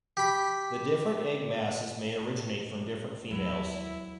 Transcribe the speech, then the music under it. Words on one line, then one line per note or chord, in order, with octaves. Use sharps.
The different egg masses may originate from different females.
G4 B5
D#2 F#3 E4 F#5